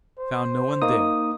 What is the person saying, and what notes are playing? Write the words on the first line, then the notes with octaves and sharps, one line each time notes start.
I found no one there.
C5
A#3 D#4 D#6